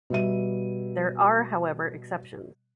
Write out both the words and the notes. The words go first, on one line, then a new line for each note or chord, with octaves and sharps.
There are however exceptions.
B2 G3 E5 D#7